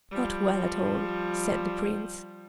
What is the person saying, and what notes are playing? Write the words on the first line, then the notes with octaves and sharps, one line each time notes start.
'Not well at all,' said the Prince.
F3 G3